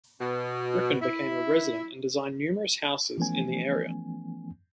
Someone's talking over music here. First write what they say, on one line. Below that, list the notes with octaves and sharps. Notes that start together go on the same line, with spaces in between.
Griffin became a resident and designed numerous houses in the area.
B2
E4
E3 F3 A3 B3 C#4 G#5